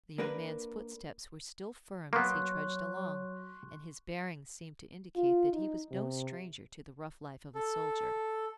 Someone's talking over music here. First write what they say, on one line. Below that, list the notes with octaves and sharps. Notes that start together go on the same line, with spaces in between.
The young man's footsteps were still firm as he trudged along, and his bearing seemed to indicate that he was no stranger to the rough life of a soldier.
A#3 D4 A#4 B4
F#3 A#3 B3 C6 C#6 F#6
F4
D#4
C3
A4